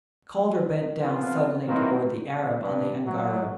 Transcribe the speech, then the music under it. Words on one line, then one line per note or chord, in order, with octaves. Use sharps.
Calder bent down suddenly towards the Arab on the angareb.
F2 F3 B3 C4 F4
C3 D#3 E3 F#3 A#3 C4
G2
F#3